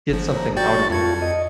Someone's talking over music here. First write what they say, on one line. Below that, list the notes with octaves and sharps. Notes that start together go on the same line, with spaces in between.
get something out of it,
G1 F3
A#5
F#4 D5 G5 C#6 G6 A6
F2 F4 A5 G#6 C#7
D#5